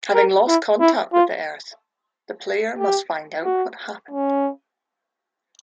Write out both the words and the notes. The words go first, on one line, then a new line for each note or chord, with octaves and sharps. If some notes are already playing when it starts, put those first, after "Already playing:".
Having lost contact with the Earth, the player must find out what happened.
A#4
E4
E4
F4
G4
F#4
C#4